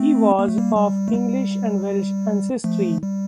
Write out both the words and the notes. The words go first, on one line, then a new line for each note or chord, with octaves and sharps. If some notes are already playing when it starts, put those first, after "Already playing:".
He was of English and Welsh ancestry.
Already playing: A3 C4
A#3
A3
G3 A#3
G3
A3
G3
F3 A3
G3